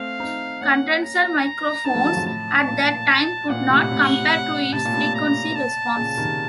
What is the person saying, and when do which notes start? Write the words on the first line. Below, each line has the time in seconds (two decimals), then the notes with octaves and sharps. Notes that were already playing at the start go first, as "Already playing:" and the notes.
Condenser microphones at the time could not compare to its frequency response.
Already playing: A3 C4 F5
0.20 C4 D#4
0.61 A#3 C#4 F#5
1.03 A#5
1.85 C4 D#4 A5
1.95 F3 A3
2.05 D#3 F#3
2.15 C#3 F3
2.26 A2 A5
2.68 A#2
3.49 A#2 F#5
3.70 A2 C3
3.90 A2 C3
4.73 A2 C3 A5
4.85 A#2
4.93 A2 C3
5.04 A#2
5.14 A#5
5.55 A5
5.96 A#2 C#3
6.17 C3 D#3